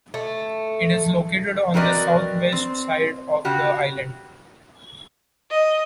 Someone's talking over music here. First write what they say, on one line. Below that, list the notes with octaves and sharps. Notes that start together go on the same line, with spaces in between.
It is located on the southwest side of the island.
A3
C4 F#4 A#4 B4 D5 D#5
C4
C#3 F#4 G4
D#5